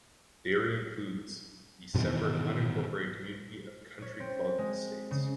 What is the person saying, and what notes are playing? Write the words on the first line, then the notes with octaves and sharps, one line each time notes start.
The area includes the separate unincorporated community of Country Club Estates.
G#2 B2 D#3 E3
C#5
C4
G#3
C#3